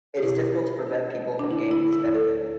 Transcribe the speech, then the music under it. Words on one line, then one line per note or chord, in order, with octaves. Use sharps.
It is difficult to prevent people from gaining this benefit.
G4
B2 E4
B2
D4
B2
D4
D3 E4
E4
D3
E4
D2 A4